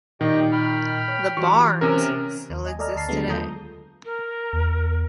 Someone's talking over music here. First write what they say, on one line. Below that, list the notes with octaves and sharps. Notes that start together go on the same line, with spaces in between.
The "barns" still exist today.
A#2 D#3 G4 D#5 G5
G5 B5 F6
C#5
E3 F#4 G4 C#6
C3 C#4 A#4
D#2
D#5 G#5
A4 D5 D#5 A#5 F6
D2 A5 A#5 C7
D3 F#3 G#3 A3 B3
D#2 F4 A4 A#5 D#6 G6
A#4
E2